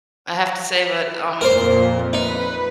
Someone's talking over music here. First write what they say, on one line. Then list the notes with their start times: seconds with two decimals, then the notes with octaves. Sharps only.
I have to say that, um,
1.41 F2 A#2 A#4 C5
2.13 D#4 B4